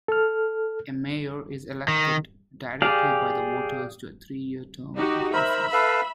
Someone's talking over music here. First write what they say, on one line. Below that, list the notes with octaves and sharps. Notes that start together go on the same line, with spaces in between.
A Mayor is elected directly by the voters to a three-year term of office.
A4 F6
D#3
G4 G#4 D5 F5
D#4 F#4 G4
A#4 C5 E5 A#5 B5
A4 B4 F5